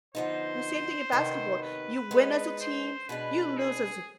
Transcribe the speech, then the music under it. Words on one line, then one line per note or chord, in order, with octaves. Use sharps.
The same thing in basketball, you win as a team, you lose as a
D3 F3 B3 D#4 C5
C3 D#3 B3
B4
G#3 B3 D#4 G#4
C5
B2 G#3 D4 B4
G#4